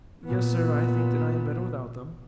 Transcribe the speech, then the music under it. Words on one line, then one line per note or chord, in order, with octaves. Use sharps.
"Yes, sir; I think that I am better without them."
A#2 B3